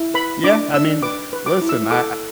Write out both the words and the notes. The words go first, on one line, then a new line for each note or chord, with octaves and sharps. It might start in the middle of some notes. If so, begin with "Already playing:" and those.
Yeah. I mean, listen. I
Already playing: E4
B4 B5
D4 D6
D4 E6
B4 D6
B4
D6
E4
E6
A4 D6